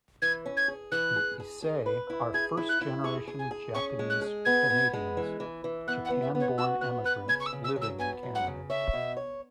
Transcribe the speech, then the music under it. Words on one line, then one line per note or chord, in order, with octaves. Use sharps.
The "Issei" are first-generation Japanese-Canadians, Japan-born emigrants living in Canada.
E3 G#6
C#4
G#6
G#4
E3 F#6
G#4
G#4
G#4
B4
E4
G#4 G#6
E4
F#6
E4
G#4 C#6
G#4
G#5
G#4
C#4 C#6
G#3
F#6
G#4
B3 G#6
B3
G#3
E3
E3
E3
B3 F#6
F#5
B3
E5
B3
C#5
F#4 E6
B3 F#6
B4 F#6
C#3 G#6
C#6
E6
C#3
E6
F#3
E6
B3 G#5
F#3
F#5
C#3
C#5 E5
B2
C#5